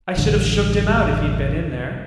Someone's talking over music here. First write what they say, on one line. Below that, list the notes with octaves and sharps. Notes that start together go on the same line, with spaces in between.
"I should have shooked him out, if he'd been in there!"
E1 A1 D3 G3